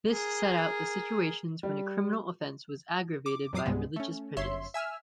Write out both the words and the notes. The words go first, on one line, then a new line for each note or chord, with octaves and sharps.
This set out the situations when a criminal offence was aggravated by religious prejudice.
G#4 A#4
G3
D6
F2 A#2 F#3 D6 D#6 C7
C#2 G#2 C3 G3 G#3 B3
A3 C#4
G1 F#2 C#5 E5 C6
E5 G#5 E6 F6